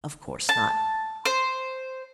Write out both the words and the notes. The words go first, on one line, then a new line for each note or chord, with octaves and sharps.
Of course not!
A5
C5